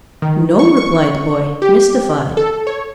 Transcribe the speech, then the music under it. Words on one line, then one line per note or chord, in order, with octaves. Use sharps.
"No," replied the boy, mystified.
D#3
C#6
C#6
G4
A4
C#5